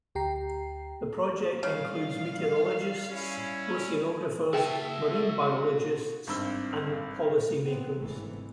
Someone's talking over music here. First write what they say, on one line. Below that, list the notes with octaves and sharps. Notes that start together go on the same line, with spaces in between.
The project includes meteorologists, oceanographers, marine biologists, and policy-makers.
D2 G4 G5 A#5 C7
C#3 G3 F5
C#4 E4
F#4 G#4 E5 G5 A5
G#1 G2 C4 B5 E6 G7
C#3 E3 B3 C4
G1 G#2 C3 E3 A3 B3